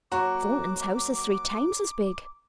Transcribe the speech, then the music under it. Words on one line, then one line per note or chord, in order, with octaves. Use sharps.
Thornton's house is three times as big.'
F#3 A#3 F#4 C#5 A#5 C#6 D6